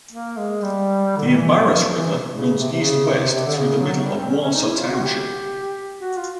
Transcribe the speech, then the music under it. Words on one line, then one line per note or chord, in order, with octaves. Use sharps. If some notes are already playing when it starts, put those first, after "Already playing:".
The Embarrass River runs east-west through the middle of Waasa Township.
A#3
G#3
G3
D3
D#3
E3
F3
F#3
F3
F3
E3
C#3
C3
C3
C#3
C3
C3
D3
C#3
F#3
G3
C4
C#4
C#4
D#4
E4
F4
F#4
G4
F#4
F4